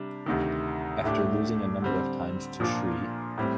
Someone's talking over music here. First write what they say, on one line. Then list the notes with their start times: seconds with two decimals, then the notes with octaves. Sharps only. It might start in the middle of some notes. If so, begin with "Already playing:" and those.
After losing a number of times to Shri.
Already playing: C3 G3 D4
0.26 D2 C3 D#3
1.04 A2 A3 D4 G4
1.82 D3 G3 C4
2.60 A#2 F3 A#3 D4 F4
3.38 A2 G3 C4